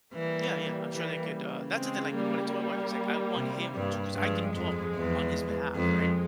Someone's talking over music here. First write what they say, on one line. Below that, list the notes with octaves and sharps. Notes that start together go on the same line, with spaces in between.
Yeah, yeah, I'm sure they could, uh that's the thing, like what I told my wife is, like, I want him to 'cause I can talk on his behalf, right,
E3 G3 A#3
E3
C#3
G#3 C4
G3 A#3
C3
G2
G2 F3 G#3
F2
E2
F2 F3 G#3